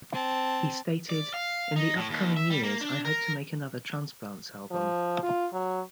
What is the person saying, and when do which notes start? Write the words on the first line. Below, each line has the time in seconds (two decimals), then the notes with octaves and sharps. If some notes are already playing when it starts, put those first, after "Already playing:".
He stated: In the upcoming years, I hope to make another Transplants album.
0.13 C4 A5
1.09 D5
1.34 F5
1.76 D#4
1.96 A2
2.10 D#2
2.37 E5
2.50 G3
2.63 A#3
2.81 D4
3.05 A#4
4.71 F3
5.23 F4
5.53 F#3